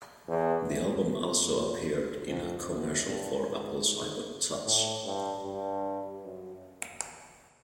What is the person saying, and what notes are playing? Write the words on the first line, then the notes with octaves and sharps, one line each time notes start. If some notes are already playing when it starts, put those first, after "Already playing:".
The album also appeared in a commercial for Apple's iPod touch.
E2
F2
F2
F2
F#2
G2
G#2
A2
G2
G2
F#2